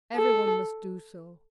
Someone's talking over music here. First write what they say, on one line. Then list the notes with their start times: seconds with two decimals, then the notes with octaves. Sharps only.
Every one must do so.
0.15 A4